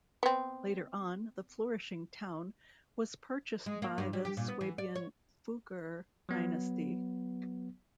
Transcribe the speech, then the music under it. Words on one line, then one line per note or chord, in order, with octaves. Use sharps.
Later on, the flourishing town was purchased by the Swabian Fugger dynasty.
B3 C4
G#3
A#3
G2
G3
G4
A#2
B3
E3
D5
C#5
F#3 B3